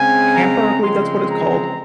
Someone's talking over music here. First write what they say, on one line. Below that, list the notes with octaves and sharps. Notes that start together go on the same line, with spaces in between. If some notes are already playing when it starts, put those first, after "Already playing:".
camper- I believe that's what it's called-
Already playing: C#3 G#3 C4 G#5
A#5
C#3 F3 G#3 C4 C6
A#5